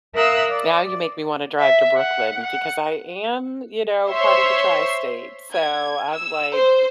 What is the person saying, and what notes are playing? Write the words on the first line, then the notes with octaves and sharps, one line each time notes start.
Now you make me wanna drive to Brooklyn because I am, you know, part of the tri-state, so I'm, like, m
A#4 E5 F5 D#6 E6 F#6
D5
E5
F#5
F#5
C5 C#5 E5 C6
G#6
E6
C5